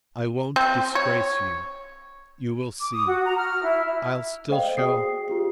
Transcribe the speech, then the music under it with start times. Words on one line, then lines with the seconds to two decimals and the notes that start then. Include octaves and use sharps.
I won't disgrace you, you will see; I'll still show....
0.56 C4
0.95 C#5
2.80 D6
2.92 D#6
3.07 F#4
3.25 A#5
3.38 F6
3.63 E4
4.50 A4 C5 D5 D#5 F5 G5
4.77 F#4 G#4 G5 D#6 C7
5.28 F4 G4 C7